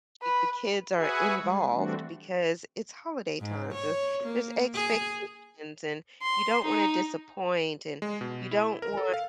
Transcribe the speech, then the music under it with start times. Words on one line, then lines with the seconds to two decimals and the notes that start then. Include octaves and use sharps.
if the kids are involved because it's holiday time, the there's expectations, and you don't wanna disappoint, and you don't want
0.23 B4
0.95 F#4 G#4 B4 E5 F#5 G#5
1.36 G3 G#3
1.72 E3 G3 A3 C4 D4 F#4
3.41 G#2
3.74 C#5
4.24 A#3
4.74 G#4
6.22 C6
6.64 D#4
8.02 G#3
8.21 B2
8.51 E4
8.82 A#4
8.97 A4
9.14 F5